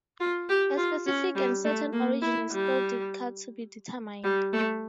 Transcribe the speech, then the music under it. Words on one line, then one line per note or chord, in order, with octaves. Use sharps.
A specific and certain origin is still difficult to be determined.
F4
G4
F4
C#4
G3
A3
A#3
E4
G3
G3
A3